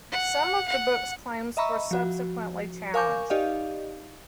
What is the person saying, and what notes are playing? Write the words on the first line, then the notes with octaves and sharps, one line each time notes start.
Some of the book's claims were subsequently challenged.
F#5
F#5
D#5 E5 A#5 B5 C#6 E6
F3 F#4
A#4 F5 G#5 C#6 D6 G6
D#4 G4 D5 D#5 F5